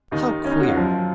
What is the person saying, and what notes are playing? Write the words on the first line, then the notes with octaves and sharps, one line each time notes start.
How queer!
D#2 D#3 D#4
C#4
D#4
F#4
F4
F#2 F3